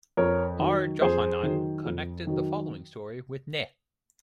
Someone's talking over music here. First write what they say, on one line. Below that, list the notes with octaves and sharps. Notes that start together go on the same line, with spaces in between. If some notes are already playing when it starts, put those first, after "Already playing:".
R. Johanan connected the following story with Neh.
F2 A#4 C#5
D#3 F#3
F2 G#4 C5
D#3 F#3
F2
D#3 F#3